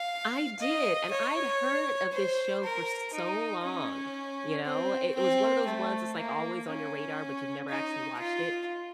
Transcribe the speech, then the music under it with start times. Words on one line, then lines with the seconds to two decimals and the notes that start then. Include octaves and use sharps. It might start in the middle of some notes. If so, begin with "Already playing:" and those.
I did, and I'd heard of this show for so long, you know? I it was one of those ones, that's, like, always on your radar, but you've never actually watched it,
Already playing: F5
0.60 D#5
1.11 C#5
2.11 C5
2.63 A#4
3.13 D#4
3.63 C#4
4.64 C4
5.15 C4
5.66 A3
6.17 A#3
6.67 C#4
7.68 D#4
8.19 F4